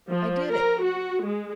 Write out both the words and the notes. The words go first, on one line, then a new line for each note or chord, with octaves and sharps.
I did it.
F3
A#4
F#4
G#3